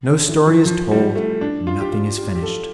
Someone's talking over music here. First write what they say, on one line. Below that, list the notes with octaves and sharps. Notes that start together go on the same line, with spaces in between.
No story is told, nothing is finished.
D3
E3
F3
F3
G3
A3
D4
F4
G4
F4
G4
G4
A4